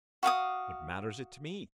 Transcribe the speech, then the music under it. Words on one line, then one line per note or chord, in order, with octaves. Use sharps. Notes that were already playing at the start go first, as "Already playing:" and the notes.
What matters it to me?
F#4 F5 F#5 D#6